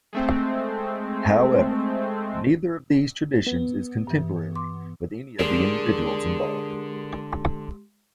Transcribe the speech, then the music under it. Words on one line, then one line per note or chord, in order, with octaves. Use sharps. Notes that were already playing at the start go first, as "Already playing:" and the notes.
However, neither of these traditions is contemporary with any of the individuals involved.
G#3 A3 C4
B3
G2 E3
C6 D6
D3 G#3 G4 G#4 A#4 D5 C6